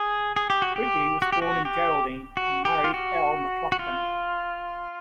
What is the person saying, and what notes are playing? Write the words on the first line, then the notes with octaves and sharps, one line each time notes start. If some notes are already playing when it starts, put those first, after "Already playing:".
Quigley was born in Geraldine, and married Al McLauchlan.
Already playing: G#4
G#4
G4
F#4
G4
F#4
G4
F#4
G4
F#4
G4
F4
F#4
F#4
F4